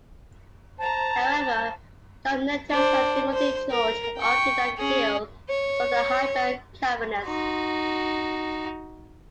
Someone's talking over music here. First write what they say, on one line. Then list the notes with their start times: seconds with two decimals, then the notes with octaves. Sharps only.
However, Tom Nettles and Timothy George have argued that Gill was not a hyper-Calvinist.
0.79 C5 A5 A#5
2.70 D4 C5
3.33 C5
3.70 A#4
4.18 G5 C#6
4.77 C#4 G#4
5.49 C#5
7.27 D#4 F#4